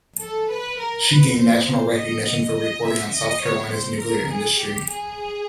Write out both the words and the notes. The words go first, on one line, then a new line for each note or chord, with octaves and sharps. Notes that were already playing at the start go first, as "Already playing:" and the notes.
She gained national recognition for reporting on South Carolina's nuclear industry.
A4
B4
A#4
B4
C5
D#5
D#5
D#5
E5
D#5
C#5
C5
A#4
G#4
G4
G#4